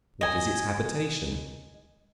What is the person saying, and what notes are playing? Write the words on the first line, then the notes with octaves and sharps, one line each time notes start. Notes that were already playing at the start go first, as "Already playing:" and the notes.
What is its habitation?
D#5 G#5